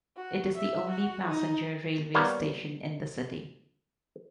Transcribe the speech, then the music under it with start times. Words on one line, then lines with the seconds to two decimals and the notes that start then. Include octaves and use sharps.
It is the only passenger railway station in the city.
0.17 F#4
0.55 E5
0.89 F#4
1.28 D#4
2.15 G3 A#3 B3 A#4 C#5